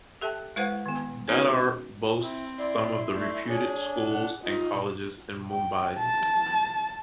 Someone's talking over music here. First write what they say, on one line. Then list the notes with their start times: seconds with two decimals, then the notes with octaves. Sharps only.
Dadar boasts some of the reputed schools and colleges in Mumbai.
0.21 G4 A4 E5 G5 A5
0.56 G#3 E4 B4 C5 F5 F#5
0.86 D#3 B3
1.28 B3 C#4 D#4 F#4 A#4 B4
2.22 C4 E4
2.58 E4 D5 C6
3.14 A3 D5
3.47 D4 G#4 C#5
4.10 A4 F#5
4.43 D#4 F4
5.50 G5
5.99 A5